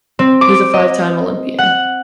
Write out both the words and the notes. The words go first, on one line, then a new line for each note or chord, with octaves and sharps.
He is a five-time Olympian.
C4
D6
D#5
F#5